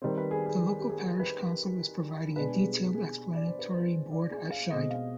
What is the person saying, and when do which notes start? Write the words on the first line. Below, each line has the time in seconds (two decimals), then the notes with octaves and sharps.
The local Parish Council is providing a detailed explanatory board at Shide.
0.02 D#3 G3 C4 C5
0.17 B4
0.31 G#4
0.46 G#4
0.79 G4
0.90 G#4
1.20 B4
2.36 B2 G#3 B3 D4 B4
2.45 G#4
2.54 G4
2.62 G#4
2.95 G#4
3.35 D5
3.46 C5
3.59 B4
3.72 C5
4.11 D5
4.31 G#4
4.51 F5
4.70 B2 G#3 C4 D#5
4.90 F5